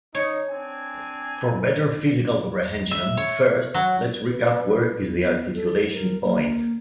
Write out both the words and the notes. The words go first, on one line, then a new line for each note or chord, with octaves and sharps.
For better physical comprehension, first, let’s recap where is the articulation point.
D#4 C#5
C4 D4 G#5
E5
C#5
F#3
B4
B3
A4
A#4
A#3